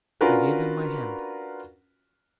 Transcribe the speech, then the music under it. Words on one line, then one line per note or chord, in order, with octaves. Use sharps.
I gave him my hand.
C#4 D4 F4 F#4 A#4 B4